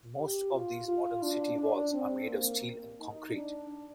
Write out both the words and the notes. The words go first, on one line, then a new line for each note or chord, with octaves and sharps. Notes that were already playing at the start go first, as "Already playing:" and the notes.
Most of these modern city walls are made of steel and concrete.
G4
F4
F4
D4
D4
C4
A#3
D#4
D4